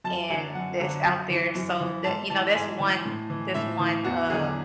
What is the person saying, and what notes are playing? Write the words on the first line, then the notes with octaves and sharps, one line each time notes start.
and that's out there, so, that you know, that's one that's one, of
F#2 A5
D3 F#3 G#5
F#2 F#5
D3 F#3
F#2
E3
F#2
E3
G#2 A5
E3 A5
G#2 G#5
E3
A2
E3
A2 E5
E3
E2 F#4
D3 F#3 G#4